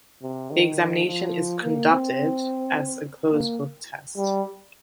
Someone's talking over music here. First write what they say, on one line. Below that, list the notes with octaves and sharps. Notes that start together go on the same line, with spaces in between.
The examination is conducted as a closed-book test.
C3
D#3
F3
A#3
C4
A#3
G3